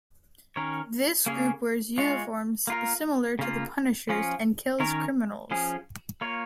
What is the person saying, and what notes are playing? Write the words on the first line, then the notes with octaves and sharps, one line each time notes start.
This group wears uniforms similar to the Punisher's and kills criminals.
D#3 C#4 A#4 C#5
C#3 A#3 C#4 G#4 C#5
G#3 F4 C#5
A#3 F4 A#4
C#3 A#3 F4
F3 C#4 F4
D#3 C#4 A#4 C#5
F3 C#4 G#4
A#3 F4 C#5